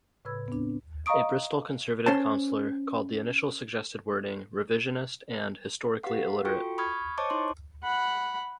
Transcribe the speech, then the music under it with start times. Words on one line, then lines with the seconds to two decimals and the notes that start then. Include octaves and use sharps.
A Bristol Conservative councillor called the initial suggested wording "revisionist" and "historically illiterate".
0.25 A2 C#3 B4 B5 E6 G#6
0.48 B3 C4 D4
1.06 D#5 F5 A#5 C#6 D#6 D7
2.06 C#4 C5 A5
6.03 G4 B4 F5 F#5
6.45 F4 F#4 A4 G5 C#6
6.78 B5 C#6 D#6 F6 G#6
7.18 C5 C#5 D#5 A5 C#6 D6
7.30 D#4 E4 C6
7.83 F#5 B5